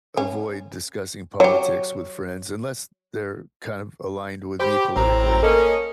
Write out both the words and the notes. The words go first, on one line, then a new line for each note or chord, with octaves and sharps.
a avoid discussing politics with friends unless they're kind of aligned with me politically,
C#4
F#3 G4 C#5
G4 C5 B5
A1 A2 C4 A#5
A#3 C#4 A4 A#4 D#5